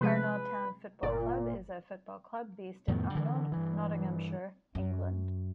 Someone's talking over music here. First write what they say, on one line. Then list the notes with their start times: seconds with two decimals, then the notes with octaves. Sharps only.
Arnold Town Football Club is a football club based in Arnold, Nottinghamshire, England.
0.01 C3 F3 G#3 B4
1.03 G1 A#2 D5
2.88 F2 A2 D#3 B3
3.15 D3 E3
3.52 G2 E3
4.75 F#2